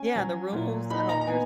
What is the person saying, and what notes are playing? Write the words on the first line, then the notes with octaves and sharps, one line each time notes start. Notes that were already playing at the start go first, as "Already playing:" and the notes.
Yeah, the rules? Oh, there's
Already playing: C#4 G#5
F#3
A#2
D#4 B5
A#5
A#5
B3 G#5